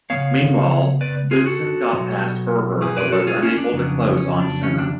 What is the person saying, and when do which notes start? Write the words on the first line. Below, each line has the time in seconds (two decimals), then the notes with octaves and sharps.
Meanwhile, Boutsen got past Berger but was unable to close on Senna.
0.10 F3 B3 C#5 F5
0.15 C#3
1.01 B4 D5
1.31 F4 G#4
1.46 F#4 A4
1.91 B2 F#3 B3
2.82 G#4 B4
2.97 B4 D5
3.12 F#4 A4
3.27 F4 G#4
3.42 C#4 F4
3.58 D4
3.73 F2 C#3 F#3 B3
4.17 C#4
4.40 D4
4.63 C#4
4.79 D4